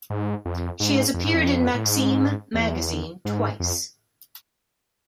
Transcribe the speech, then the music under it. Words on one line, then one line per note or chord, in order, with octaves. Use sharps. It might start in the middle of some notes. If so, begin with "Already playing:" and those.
She has appeared in "Maxim" magazine twice.
G#2
F2
G#2
F2
G#2
F2
A2
G#2
E2
G#2
F2